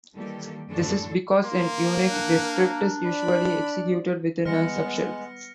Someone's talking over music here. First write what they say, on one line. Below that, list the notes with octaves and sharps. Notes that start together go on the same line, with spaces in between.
This is because in Unix, the script is usually executed within a subshell.
D#3 E3 G3 A#3 G4 A4
F#2 A2 D3 D4 A4 C#5
A#3 C6
D4 F#5
A#4
D5 B5
D#3 G3 G#3 B3 F6 A#6 C#7